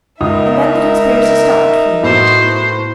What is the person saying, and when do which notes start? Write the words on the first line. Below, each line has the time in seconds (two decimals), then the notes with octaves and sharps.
And then the conspiracy stopped for the moment.
0.21 C#2 D#4 F4 A#4 E5 D#6
2.03 A2 B3 F#4 C5